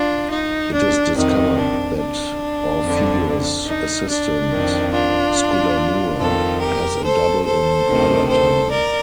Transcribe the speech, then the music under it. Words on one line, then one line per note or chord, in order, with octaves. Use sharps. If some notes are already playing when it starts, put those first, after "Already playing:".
It is discovered that Orfieu's assistant, Scudamour, has a double in Othertime.
Already playing: D4 F4
D#4
D4
F2 C3 D#3 D#4
D4
D4
F2 D3
D#4
D4
F2 D#3
D4 F4
F2 D#3 F4 A4
G4 A#4
A4 C5
A4 C5
D2 C3 D#3
A4 C5
A#4 D5